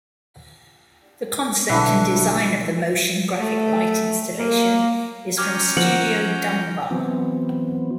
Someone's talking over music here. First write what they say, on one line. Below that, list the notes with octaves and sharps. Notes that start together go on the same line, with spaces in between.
The concept and design of the motion graphic light installation is from Studio Dumbar.
B1 D3 E3 E4
A3
A#3
C#4 G5 A#5 D6 F6 G#6
F3 F#5
E3 F#3 B3 C4